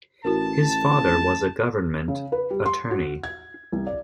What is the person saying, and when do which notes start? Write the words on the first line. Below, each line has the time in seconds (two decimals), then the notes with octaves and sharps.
His father was a government attorney.
0.25 A1 E4 F#4 A#4 A5
2.08 C#3
2.32 B4
2.50 G3
2.66 C6
2.91 F#4
3.23 G#6
3.72 C2
3.87 D5